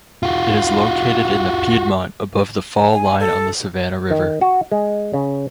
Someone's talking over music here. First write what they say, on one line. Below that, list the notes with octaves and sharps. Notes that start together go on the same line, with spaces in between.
It is located in the Piedmont above the fall line on the Savannah River.
F4 F#4
G#5
A4
D#3
F#4
G#3
C#3